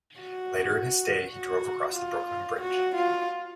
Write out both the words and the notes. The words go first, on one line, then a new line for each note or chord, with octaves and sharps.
Later in his stay, he drove across the Brooklyn Bridge.
F#4
F#4
F4
F#4
F4